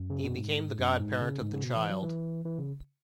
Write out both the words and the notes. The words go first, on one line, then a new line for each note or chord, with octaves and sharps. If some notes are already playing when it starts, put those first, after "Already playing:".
He became the god-parent of the child.
Already playing: F#2
C#3
B2
G#2
F#2
G#2
C#3
G#2
C#3
B2
E3
F#3
E3
E3
C#3